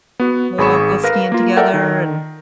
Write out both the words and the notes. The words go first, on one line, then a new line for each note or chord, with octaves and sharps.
we'll all go skiing together and
B3 F#4
G#1 G#4 B5 C#6 E7
A#4 B4 F5 A#6
A#3 F4
A4 A#4 D5 E5 F#5 G5
D#3